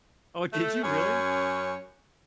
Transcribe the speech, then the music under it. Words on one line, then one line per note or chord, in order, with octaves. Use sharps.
Oh, did you really?
A3
F#2 C#4 C#5